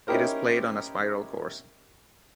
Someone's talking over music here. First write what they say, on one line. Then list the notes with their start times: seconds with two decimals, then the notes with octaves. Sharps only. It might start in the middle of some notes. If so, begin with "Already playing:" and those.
It is played on a spiral course.
0.07 C#4 D#4 E4 G4 A#4 C5